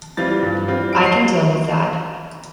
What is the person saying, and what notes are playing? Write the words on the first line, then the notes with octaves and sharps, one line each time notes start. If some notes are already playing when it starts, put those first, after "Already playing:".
I can deal with that.
E3 G3 C4 F4 A6
G2
E3 G3 C4 F4
F2 D7
C7